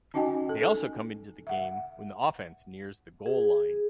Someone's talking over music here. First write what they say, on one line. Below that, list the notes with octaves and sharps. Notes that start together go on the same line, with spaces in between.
They also come into the game when the offense nears the goal line.
C#4 D#4 F#4 D#5 G5 G#5
A4
E5 F#5
G#4